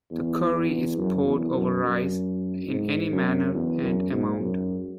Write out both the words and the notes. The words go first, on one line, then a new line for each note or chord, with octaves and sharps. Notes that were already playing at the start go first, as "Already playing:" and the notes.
The curry is poured over rice in any manner and amount.
E2
E2
F#2
E2
F#2
F#2
G#2
F#2
E2
F#2
G#2
F#2